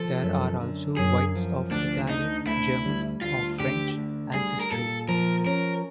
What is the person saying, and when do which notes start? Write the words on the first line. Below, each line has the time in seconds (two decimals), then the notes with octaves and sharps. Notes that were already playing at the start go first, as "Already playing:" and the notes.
There are also whites of Italian, German, or French ancestry.
Already playing: F3 A4
0.22 F#2
0.60 D3
0.97 F#2 G#4
1.35 F3
1.72 D2 D4
2.09 D3 D#4
2.46 D2 E4
2.85 G3
3.22 D2 F4
3.60 D3 G4
3.97 D2
4.34 G3 G#4
4.60 A#4
4.71 A#2 A4
5.08 F3 A#4
5.46 C#4 A#4